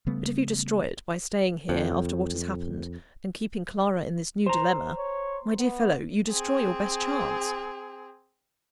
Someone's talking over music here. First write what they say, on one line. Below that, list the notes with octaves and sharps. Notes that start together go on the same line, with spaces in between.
But if you destroy it by staying here, after what has happened, and keeping Clara in this new dilemma--my dear fellow, you destroy your best chance!
C#3 G3 A3 B3
F2
C5 A#5
C#5
B3
C4 G#4